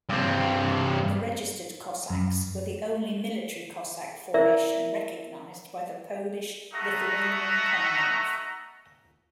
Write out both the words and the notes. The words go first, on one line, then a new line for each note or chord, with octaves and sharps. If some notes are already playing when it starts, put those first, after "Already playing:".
The registered Cossacks were the only military Cossack formation recognized by the Polish-Lithuanian Commonwealth.
G2 C4
F#2
E4 A#4 D5 E5
A3 D#4 F#4 D#5 E5 A#5